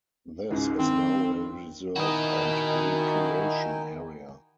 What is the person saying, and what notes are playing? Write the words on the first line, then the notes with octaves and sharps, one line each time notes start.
This is now a reserve and recreation area.
C#2 G#2 G#3
G2 D#3 C4
D#3 D#4 E4 F#4 D#5 G5 G#5